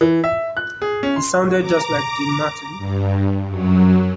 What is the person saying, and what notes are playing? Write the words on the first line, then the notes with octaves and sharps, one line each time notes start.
He sounded just like Dean Martin.
E3
E5
F#6
G#4
C#4
C6
A#5 D6
G2
F#2 F#3